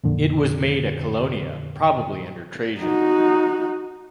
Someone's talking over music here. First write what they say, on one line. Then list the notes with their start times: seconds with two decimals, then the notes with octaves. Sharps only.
It was made a colonia probably under Trajan.
0.04 F2 A#2 D3
2.80 D#4 F#4